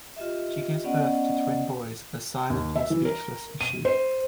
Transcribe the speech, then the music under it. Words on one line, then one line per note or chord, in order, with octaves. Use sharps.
She gives birth to twin boys as silent or speechless as she.
F4 G4 D#5 E5
B3 C#4 D5 D#5 F#5
D#2
E5
E3
A#4
D#7
C5